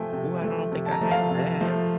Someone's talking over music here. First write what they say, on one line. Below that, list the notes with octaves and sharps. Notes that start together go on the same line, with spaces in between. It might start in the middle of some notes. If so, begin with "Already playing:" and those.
Ooh, I don't think I had that.
Already playing: C3 F3 A3 G5 G#5
C3
F3 A3
C3
A5
A#5
F3 A3
F5
C3
F3 A3